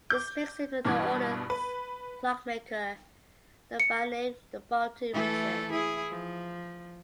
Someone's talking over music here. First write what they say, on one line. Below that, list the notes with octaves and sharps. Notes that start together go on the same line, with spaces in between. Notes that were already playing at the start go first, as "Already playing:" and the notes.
This makes him the oldest clockmaker known by name in the Baltic region.
D6 G6
G2 B2 E3 D6 G#6
B4
C#7
E3 A3 A4
E4 G#4
F3